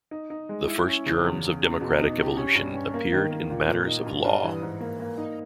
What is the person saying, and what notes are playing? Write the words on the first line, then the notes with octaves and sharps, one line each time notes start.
The first germs of democratic evolution appeared in matters of law.
D#4
D#4
G#3
E4
C#4
C#3
E2
E2
E2
B2
D#4
G4
C#4
G2
C#4
A#3
D#3
A#3
A#2
A#2
D#4
G2
G2
E3
G#2
A#3
A#3
D#4